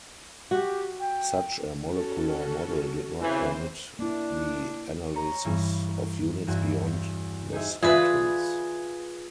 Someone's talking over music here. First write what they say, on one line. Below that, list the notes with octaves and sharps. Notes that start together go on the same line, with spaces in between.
Such a molecular model did not permit the analysis of units beyond the sentence.
F#4 G4
G5
C#4 F#4 A4
C#3 E3 C4 C5
A#3 D4 E4
C#5 A#5
G2 E3 G3
E2 G2 C4 E4 F#4 A#6
D#4 G4 G#4 C5 E5
E3 F4 G#4 B4 D5 E5